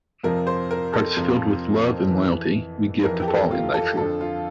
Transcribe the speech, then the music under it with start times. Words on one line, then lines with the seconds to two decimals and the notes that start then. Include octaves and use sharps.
Hearts filled with love and loyalty, we give to follow in thy truth.
0.24 F2 C3 F3 A#4
0.47 C5
0.71 A#4
0.93 A4
1.17 F2 C3 F3
2.11 F2 E3
3.03 F2 E3 A#4
3.22 G4
3.28 A4
3.51 F4
3.74 A4
3.97 F2 D3 F3 A4
4.21 F4